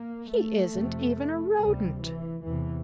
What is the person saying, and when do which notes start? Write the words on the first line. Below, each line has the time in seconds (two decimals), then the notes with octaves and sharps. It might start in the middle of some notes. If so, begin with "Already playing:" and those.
He isn't even a Rodent.
Already playing: A#3
0.30 A3
0.73 F2 C3
1.59 D2 C3 G3
2.01 E3
2.44 E2 C3 E3